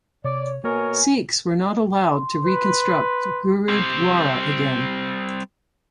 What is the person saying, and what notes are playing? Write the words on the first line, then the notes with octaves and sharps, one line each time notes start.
Sikhs were not allowed to reconstruct Gurudwara again.
C3 C#5 D5
B2 A#3 A#4 C#5 G#5
C6
B4
G3 C4